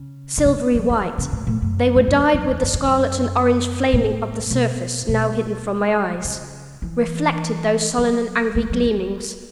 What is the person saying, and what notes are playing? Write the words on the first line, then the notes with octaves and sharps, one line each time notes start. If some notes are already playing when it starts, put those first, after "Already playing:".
Silvery white, they were dyed with the scarlet and orange flaming of the surface now hidden from my eyes; reflected those sullen and angry gleamings.
Already playing: C#3
B2
C#3
F#3
E3
C#3
A2
A2
F#2
A2
F#2
E2
F#2
E2
F#2
E2
F#2
A2
B2
B2
C#3
E3
F#3
A3
F#3
E3